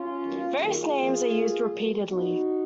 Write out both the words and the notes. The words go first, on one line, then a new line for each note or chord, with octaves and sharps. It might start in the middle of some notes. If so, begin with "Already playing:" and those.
Various names are used repeatedly.
Already playing: C#4 F4
D#2 D#3 F#3 B3
F#2 D#3 F#3 A#3 F4 G#4
F#2 F3 A#3
B2 A#3
B2 F#3 A#3
A#2 F3 B3 D#4 F#4